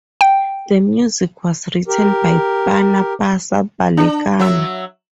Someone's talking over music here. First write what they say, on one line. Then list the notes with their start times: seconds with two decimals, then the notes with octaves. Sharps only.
The music was written by Panapasa Balekana.
0.21 G5
1.88 G4 A#4
3.97 D4
4.39 F#3 E5